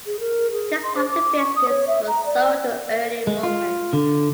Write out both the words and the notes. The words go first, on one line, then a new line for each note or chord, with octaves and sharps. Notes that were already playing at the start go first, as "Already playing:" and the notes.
This part of the business was sold to Early Moments.
G#4
A#4
G#4
C6
C5
D6
C#6
D#6
C#5
E5
A#5
D5
G#3
F4
D3